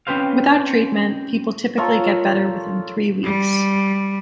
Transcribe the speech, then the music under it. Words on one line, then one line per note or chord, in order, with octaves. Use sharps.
Without treatment people typically get better within three weeks.
C4 C#4 G4 B4 C5 F5
F4 A4 A#4 C#5
G3